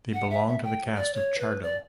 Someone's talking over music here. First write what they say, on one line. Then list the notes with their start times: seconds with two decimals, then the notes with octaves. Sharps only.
They belong to the caste of Chardo.
0.14 F#5
0.30 E5
0.47 E5
0.64 G5
0.97 D5
1.14 C#5
1.38 B4
1.63 D5